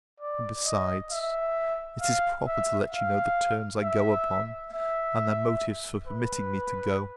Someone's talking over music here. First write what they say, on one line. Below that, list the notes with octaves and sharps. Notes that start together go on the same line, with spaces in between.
And besides, it is proper to let you know the terms I go upon, and their motives for permitting me to go.
D5
D#5
E5
F5
E5
F5
E5
E5
B4